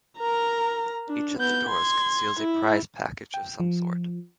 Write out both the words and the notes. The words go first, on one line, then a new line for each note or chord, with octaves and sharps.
Each of the doors conceals a prize package of some sort.
A#4 A#5
D4
B3 G6
C6 G#6
E4
G5
F3